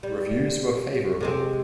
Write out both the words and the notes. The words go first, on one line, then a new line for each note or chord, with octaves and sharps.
Reviews were favourable.
G3
C3 G#3 C4